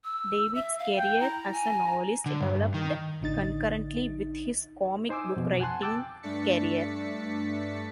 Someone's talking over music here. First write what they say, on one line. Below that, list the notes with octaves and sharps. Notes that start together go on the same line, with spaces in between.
David's career as a novelist developed concurrently with his comic book writing career.
E6
E5
F5
G5
E4 A#5
G#5
D3
G2
D#3
A1 D3 D#4 A6
D#4 C5 G#5 D6 E6
F2 B2
F#5 G#5 A5 C6 F#6
G5 A5 D6 E6 A6
G2 A3 D4 A6 B6 C#7